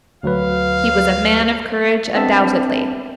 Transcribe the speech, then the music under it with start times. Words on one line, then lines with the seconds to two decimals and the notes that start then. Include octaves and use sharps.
He was a man of courage undoubtedly.
0.23 D2 F#3 B4 F5
2.15 B3 C4 D4 E5 A5